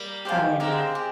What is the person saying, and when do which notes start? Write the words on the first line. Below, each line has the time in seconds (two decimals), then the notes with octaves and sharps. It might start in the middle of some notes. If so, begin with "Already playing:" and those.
Oh, I know,
Already playing: G3 A#3
0.25 G4 C5 F5 G#5
0.60 G#3 C4 G4 A#4 F5
0.95 G4